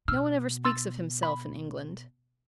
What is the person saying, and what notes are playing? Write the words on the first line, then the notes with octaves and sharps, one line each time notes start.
No one ever speaks of himself in England.
B2 E6 F6
C6 E6 A6
B5